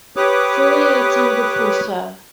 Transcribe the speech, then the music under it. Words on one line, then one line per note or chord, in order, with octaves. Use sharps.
Fully a tumblerful, sir.
G4 B4 C#5 D6 D#6 F#6